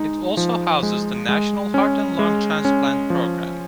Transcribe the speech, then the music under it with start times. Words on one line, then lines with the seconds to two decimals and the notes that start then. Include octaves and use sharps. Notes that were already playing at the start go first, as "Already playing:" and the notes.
It also houses the national heart and lung transplant programme.
Already playing: G#3 D#4
0.37 F3
0.83 G#3
1.29 G#3
1.74 C#4
2.19 G#3
2.65 C#4
3.10 F3